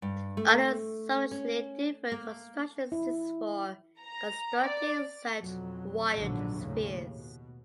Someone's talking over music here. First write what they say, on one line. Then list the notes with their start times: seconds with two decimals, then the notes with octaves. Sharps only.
Other substantially different constructions exist for constructing such "wild" spheres.
0.02 G2
0.37 A3
1.31 C#4
2.12 A#3
2.92 E4
4.01 A#5
4.61 D5
5.40 F2 B2 F#3
6.13 A#1 G#2 B2 D3 F#3 G3
6.59 D#2 A2 C#3
7.13 B2